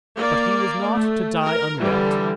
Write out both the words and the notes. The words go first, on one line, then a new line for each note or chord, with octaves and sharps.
But he was not to die unwept.
A#3 D5
A3
A#4
D3 E3 G3